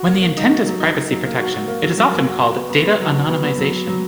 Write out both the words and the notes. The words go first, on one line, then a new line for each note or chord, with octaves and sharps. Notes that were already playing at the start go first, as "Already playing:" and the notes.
When the intent is privacy protection, it is often called data anonymization.
Already playing: F#4
A#3
A#3
D#4
F#4
F#3
D#4
D#4
F#3
A#3
F#4
F#4
A#3
F#3
F#3
A#3
F#4
F#4
B3
B3
B3
F#3
F#4
B3
B3
F#3
F#3
F#3